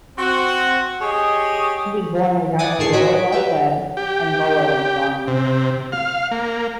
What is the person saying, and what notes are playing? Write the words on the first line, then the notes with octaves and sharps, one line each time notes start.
She was born without her lower left leg and lower left arm.
C4 F#4
G4 G#4 C#5 D#5
D5 F#5 G#5 D6 D#6
A2 D#3 G#4 A5 C#6 C7
F#4 C#5 D#5 G#5 B6 D7
G4 B4 E5 G5
G4
C3
F5
A#3